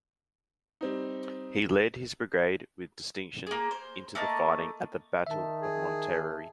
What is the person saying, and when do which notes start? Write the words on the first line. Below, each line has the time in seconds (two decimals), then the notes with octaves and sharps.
He led his brigade with distinction into the fighting at the battle of Monterrey.
0.81 G3 C4 D#4
3.47 A#3 G#4
3.71 C5
4.15 A3 A#3 D#5 A5
5.27 D#3 E5 A5
5.62 G#4